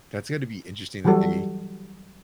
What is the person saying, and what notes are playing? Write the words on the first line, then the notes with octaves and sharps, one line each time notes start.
That's gonna be interesting that they
E3 F#3 G3 F#4 A4